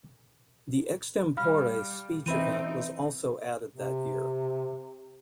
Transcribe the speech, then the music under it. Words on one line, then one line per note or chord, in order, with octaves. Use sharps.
The Extempore speech event was also added that year.
G3 F5 B5 F6
E3 C4 D#4 B4 E5 B5 D#7
C3